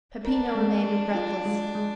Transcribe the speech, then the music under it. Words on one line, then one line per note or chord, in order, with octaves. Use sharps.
Peppino remained breathless.
D4 A#4
G#3
G#3
F4
G#3
G#3